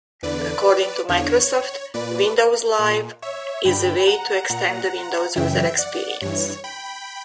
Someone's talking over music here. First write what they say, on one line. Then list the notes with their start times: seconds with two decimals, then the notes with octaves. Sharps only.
According to Microsoft, Windows Live "is a way to extend the Windows user experience".
0.23 E2 D3 B4 D5
1.09 E2 D3 C#5
1.94 A#2 B4 D5
2.79 A#2
3.22 C#5 E5
3.65 G2 D3 G5 B5
4.07 F#5 A#5
4.50 A#2 F#5 A#5
5.36 F#2 C#3 E3 E5 G5
5.78 D5 F#5
6.21 G2 E3 C#5
6.64 G5 B5